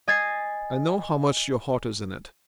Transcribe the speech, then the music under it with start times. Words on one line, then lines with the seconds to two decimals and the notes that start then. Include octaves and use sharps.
I know how much your heart is in it.
0.08 D#5 G#5 G#6 A6 C7